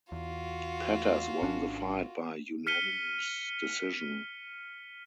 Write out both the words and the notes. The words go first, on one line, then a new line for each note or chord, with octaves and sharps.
Pettas won the fight by unanimous decision.
E2 F4 F#4
G#1 C#4 D4
F6 B6 C#7 D#7 G7